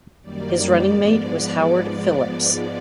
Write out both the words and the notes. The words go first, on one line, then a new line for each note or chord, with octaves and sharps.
His running-mate was Howard Phillips.
F#2 D#3 G3 A#3 D5
G#2 F3 G#3 B3 D5